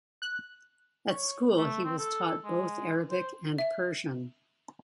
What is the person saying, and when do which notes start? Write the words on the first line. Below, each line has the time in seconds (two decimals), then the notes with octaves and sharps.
At school he was taught both Arabic and Persian.
0.22 F#6
1.09 C#5
1.57 A3
1.85 C4
1.98 A4
2.45 G#3
3.10 C5
3.58 E5